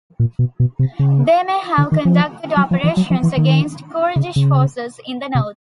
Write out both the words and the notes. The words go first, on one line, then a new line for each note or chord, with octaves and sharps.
They may have conducted operations against Kurdish forces in the north.
A#2
B2
B2
C3
C#3
D3
D#3
F3
F#3
F3
E3
F#3
F3
E3
D#3
C#3
C#3
C3